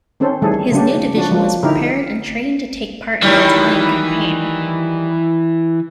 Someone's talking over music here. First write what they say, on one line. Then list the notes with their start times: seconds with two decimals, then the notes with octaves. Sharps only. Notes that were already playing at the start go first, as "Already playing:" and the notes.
His new division was prepared and trained to take part in the Italian Campaign.
0.20 D#3 C4 C#4 A4 C5
0.42 D#3 E3 G3 A3 G#4 A4
0.72 C#3 F#3 A#3 D4 G4
1.13 F3 D4 F#4
1.31 F3 F#3 A#3
1.63 D3 D#3 D#4 E4 G4 A#4
3.22 D#3 E3 F#3 G3